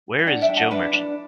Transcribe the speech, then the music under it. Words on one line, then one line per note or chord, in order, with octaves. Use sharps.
Where Is Joe Merchant?
G5
D4 D5 F#5
E5 G5
D4
F#5 A5
D4 B4
D4